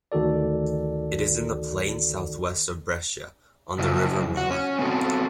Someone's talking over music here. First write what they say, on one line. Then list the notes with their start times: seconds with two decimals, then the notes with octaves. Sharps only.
It is in the plain southwest of Brescia, on the river Mella.
0.12 D2 D#3 F#4 A4 D5
3.79 F#2 C#3 F#3 E4
4.37 F#4
4.51 C#4
4.78 B3 C4 F#4 A4